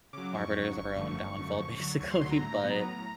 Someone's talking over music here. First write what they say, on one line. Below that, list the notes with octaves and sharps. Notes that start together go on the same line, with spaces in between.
arbiters of our own downfall, basically, but
C#3 F#3 D6
F2 C#6
C#3 F#3
G1
F#2 D3 F3 A3
G1
F#2 D3 F3 A3
D2
D3 F#3
D2 C#6
C6
D3 F#3 C6
A#5
A2
F#3 B3
A2